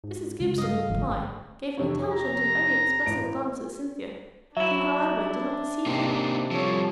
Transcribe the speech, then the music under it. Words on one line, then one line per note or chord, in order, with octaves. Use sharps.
Mrs. Gibson in reply gave an intelligent and very expressive glance at Cynthia, who however did not perceive it.
G#2
C#3 G#3
G2 D#5 F5
G1 G#2 D3 F3
F2 C3 C#5
A#5
A1 D7
F#3 D4 E4 E5
C3 A#3 C4 D#4
F3 G3 A4 C#5